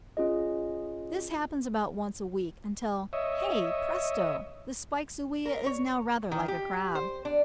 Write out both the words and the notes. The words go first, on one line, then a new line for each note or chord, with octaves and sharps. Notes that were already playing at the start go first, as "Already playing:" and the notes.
This happens about once a week, until, hey presto! the spiked zoea is now rather like a Crab.
C#4 F4 G#4 D#5
C#5 D#5 E5
A#4
C#5
D#3
G4
C5
D4